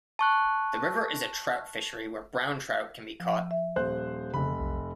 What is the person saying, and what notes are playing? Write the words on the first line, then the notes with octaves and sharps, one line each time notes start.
The river is a trout fishery where brown trout can be caught.
A5 C#6 F#6
F3
E5
D#1 C5 F#6
F1 C#3 B5
B1